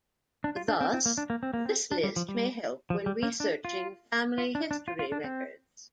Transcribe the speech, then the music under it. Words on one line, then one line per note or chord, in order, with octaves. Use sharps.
Thus, this list may help when researching family history records.
D4
F4
D4
C4
C4
A#3
D4
A#3
C4
A#3
C4
D4
G3
F3
G3
F3
G3
A#3
D4
F4
F4
D4
D4
F4
F4
D4
C4